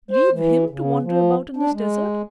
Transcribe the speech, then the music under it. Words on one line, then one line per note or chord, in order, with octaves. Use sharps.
Leave him to wander about in this desert!
C5
E3
C#3
F3
D4
G#3